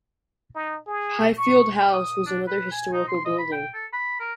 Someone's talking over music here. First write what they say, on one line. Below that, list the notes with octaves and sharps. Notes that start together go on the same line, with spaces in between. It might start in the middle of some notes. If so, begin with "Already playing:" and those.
Highfield House was another historical building.
D#4
G#4
C#6
D#6
D4
B4
G#5
D#4
C6
D#5
B5
G5
A4
B5
A#4